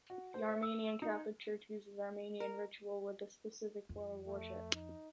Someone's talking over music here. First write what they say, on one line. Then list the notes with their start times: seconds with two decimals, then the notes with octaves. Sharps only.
The Armenian catholic church uses the Armenian ritual with a specific form of worship.
0.10 F#4
0.34 C5
0.48 E5
0.63 E6
1.02 D#4
2.40 A#4
3.89 F2
4.27 A3
4.74 D#4